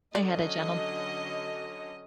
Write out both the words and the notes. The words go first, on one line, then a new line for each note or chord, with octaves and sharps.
I had a gentlem
D3 F#3 C#4 D5 D#5